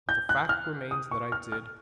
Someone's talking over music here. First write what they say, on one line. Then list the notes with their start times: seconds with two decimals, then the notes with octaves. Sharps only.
But the fact remains that I did.
0.09 G6
0.29 F#6
0.49 F6
0.91 D#6
1.11 C#6
1.32 F6
1.52 F6